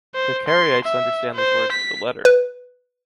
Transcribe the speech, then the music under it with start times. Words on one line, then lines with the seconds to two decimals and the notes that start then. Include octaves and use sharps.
The Karaites understand these words to the letter.
0.15 C5
0.49 C6
0.85 E5
1.35 C5
1.72 B6
2.25 B4